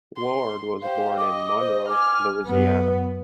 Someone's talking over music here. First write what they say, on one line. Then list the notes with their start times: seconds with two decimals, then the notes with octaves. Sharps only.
Ward was born in Monroe, Louisiana.
0.16 C6
0.82 G4 C5 F5
1.17 D#5 D6
1.60 C5
1.89 G#5 D6 F6
2.45 F#2 B3